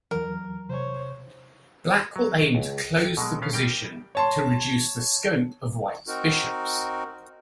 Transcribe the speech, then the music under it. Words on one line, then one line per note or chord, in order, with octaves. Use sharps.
Black will aim to close the position to reduce the scope of White's bishops.
E2 E3 F#3 A#4
C3 C5 C#5
F#3
C#2
A4 A#4 G5 A5
B2 F#3 G#3
B3 C#4 F5
G3 A#4 G5
C#5 A5 C6
C4 D#4 F#4 A#4